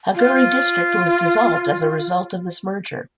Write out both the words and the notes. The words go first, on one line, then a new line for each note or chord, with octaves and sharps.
Haguri District was dissolved as a result of this merger.
F4